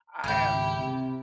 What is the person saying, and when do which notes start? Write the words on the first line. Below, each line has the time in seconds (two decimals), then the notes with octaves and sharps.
I am
0.24 G#1 C#2 E4 G4 F6 G6
0.79 C3